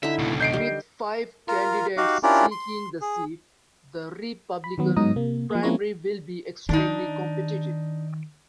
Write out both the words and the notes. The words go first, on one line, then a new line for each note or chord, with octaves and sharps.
With five candidates seeking the seat, the Republican primary will be extremely competitive.
D3 D#4 E4 E5
C#2 B2
D#5 G6 C7 D7
G3
F4 A#4
D#4 F#4 G4 F5 F#5
C#4 D4 E4 F4 G4 A#4
C6
G#4
B5
D#3 F#3 B3
G#2 F#3 B3 D#4 A#5 D#6
C3 A#3
F3 A#3
F3 A#3 C4 C#4 E4 C#5
D#3 D4 D#4